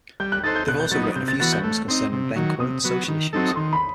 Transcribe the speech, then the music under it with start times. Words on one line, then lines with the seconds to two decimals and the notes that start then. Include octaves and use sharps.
They've also written a few songs concerning then-current social issues.
0.20 G3 G6
0.32 F#6
0.44 D#4 A4 C5 A6
0.55 G6
0.68 B2 F#6
0.80 G6
0.91 F#3 B3 D#4 A6
1.03 D#6
1.16 C3 G6
1.28 A6
1.40 E3 B3 F#4 A6
1.52 G6
1.63 A3
1.88 C4 D#4
2.12 C3
2.36 D#3 F#3
2.60 C3 D#6
2.84 F#3 B3
3.08 D#3
3.33 F#3 C4 D#4 A4
3.48 D#6
3.56 D#3 C6
3.73 B5